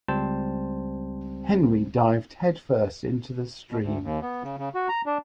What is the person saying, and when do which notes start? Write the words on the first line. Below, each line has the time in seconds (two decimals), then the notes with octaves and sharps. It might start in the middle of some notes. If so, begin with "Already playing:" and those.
Henry dived headfirst into the stream.
0.08 C#2 G3 C4 C5 A5
3.71 B2
3.82 D2
4.03 D#2
4.22 B3
4.43 C#3
4.59 C#3
4.75 F#4
4.89 A#5
5.06 D4